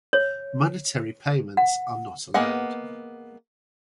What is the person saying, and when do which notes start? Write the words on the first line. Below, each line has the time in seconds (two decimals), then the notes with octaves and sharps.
Monetary payments are not allowed.
0.13 C#5
1.57 F#5
2.34 A#3 B3 G#4 D#5 F#5